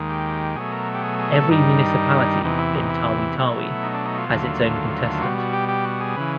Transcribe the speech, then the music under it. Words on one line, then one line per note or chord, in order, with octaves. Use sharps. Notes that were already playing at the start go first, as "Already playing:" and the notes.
Every municipality in Tawi-Tawi has its own contestant.
Already playing: D#2 D#3 G#3
G4
B2 F#3 A3 G#4
A#4
G4
G#4
G#4
A4
G2 D#3 G3 D#4
E2 C3 E3 D#4
E4
D#4
E4
B2 F#3 A3
D#4
D4
D#4
F4
D#2 D3 F#3 A3
B2 G3 F#4
F#4
G4
G4
F#4
G#4
C#3 E3 B4